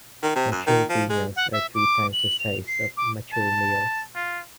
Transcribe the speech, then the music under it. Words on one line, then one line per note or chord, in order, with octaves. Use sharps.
Mature females are three times the size of mature males.
D#3
C3
F#2
D#3
F3
G#3
F#5
E5
D6
F#7
F7
C7
D6
A5
F4